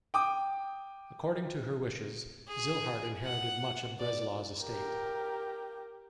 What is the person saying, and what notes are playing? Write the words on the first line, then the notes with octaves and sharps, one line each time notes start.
According to her wishes, Zillhardt inherited much of Breslau's estate.
G5 D6 D#6
G#4
F#5
D5
G4 A#4